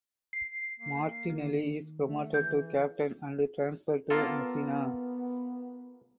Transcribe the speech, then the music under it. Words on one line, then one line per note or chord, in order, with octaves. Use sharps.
Martinelli is promoted to captain and transferred to Messina.
C7
A#3
D#3
A3
E3 G6
A#3 B3 F4 A4